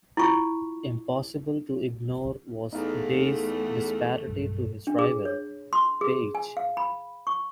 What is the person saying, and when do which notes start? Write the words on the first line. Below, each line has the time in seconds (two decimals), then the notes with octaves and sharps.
Impossible to ignore was Day's disparity to his rival, Paige.
0.17 E4 F4 C#6
2.73 E2 A3 D#4 F5
4.27 B1 G2
4.87 D4
4.99 G#4
5.25 C#5
5.73 C6
6.01 G#4
6.35 G#5
6.57 F5
6.77 B5
7.27 C#6